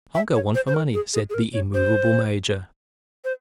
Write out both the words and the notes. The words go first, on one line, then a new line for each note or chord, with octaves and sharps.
"I'll go on for money," said the immovable major.
E5
C#5
C5
C5
A#4
G#4
G#4
G#4
A#4
C#5
C5
C5